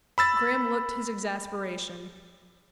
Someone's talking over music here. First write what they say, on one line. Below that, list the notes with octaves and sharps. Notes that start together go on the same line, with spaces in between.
Graham looked his exasperation.
B5 E6 A6